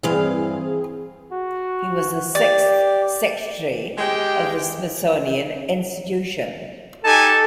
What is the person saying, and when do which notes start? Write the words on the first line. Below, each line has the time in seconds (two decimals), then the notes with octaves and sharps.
He was the sixth Secretary of the Smithsonian Institution.
0.03 G2 E3 C4 G#4 F5
1.32 F#4
2.35 G4 D5
3.98 G#3 G4 D#5 G5
7.05 D#4 G4 A4 G#5 A5